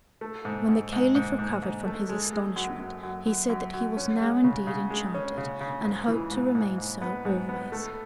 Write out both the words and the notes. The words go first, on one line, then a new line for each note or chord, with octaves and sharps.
When the Caliph recovered from his astonishment he said that he was now, indeed, enchanted and hoped to remain so always.
A3
G#2
G#2
G#2
G#2
G#2
G#2
A3
G#3
G#3
F#2
F#2
F#2
F#2
F#2
F#2
C#4
G#3
C#3
C#3
G#3
C#4
C#3
C#3
G#2
E3
G#2
G#2
G#2
B3
G#2
B3
A3